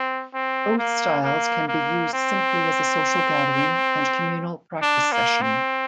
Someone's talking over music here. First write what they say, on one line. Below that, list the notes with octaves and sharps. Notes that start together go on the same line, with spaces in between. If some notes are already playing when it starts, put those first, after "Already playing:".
Both styles can be used simply as a social gathering and communal practice session.
Already playing: C4
C4
A#3
A#3
A#3
C4
D4
A#3
C4